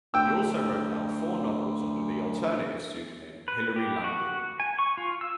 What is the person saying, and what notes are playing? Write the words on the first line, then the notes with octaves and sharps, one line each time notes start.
He also wrote four novels under the alternative pseudonym Hilary Landon.
D2 G5 E6
B4
G4
F#4
G#5
C#6
F4
E6